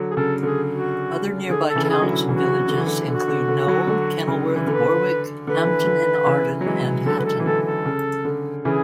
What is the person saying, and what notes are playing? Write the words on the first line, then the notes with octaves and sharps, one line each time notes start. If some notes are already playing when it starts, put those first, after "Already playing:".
Other nearby towns and villages include Knowle, Kenilworth, Warwick, Hampton-in-Arden and Hatton.
Already playing: D3 F#3
G#4
C#3 A4
D3 G#4
F#4
D3 G#4
A4
C#3 E3
A4
G#4
D3 F#3
E4
C#3 E3 F#4
D3
E3
D3
D3 F#4
D3
D3
D3 F#3
D3
C#3
E3
D3 B4
D3 B4
E3
D3
E3
D3
C#3 E3
F#3
E3 G#3
D3 F#3 A4
B4
A4
E3
D3 A4
A4
C#3
D3
C#3 E3 G#4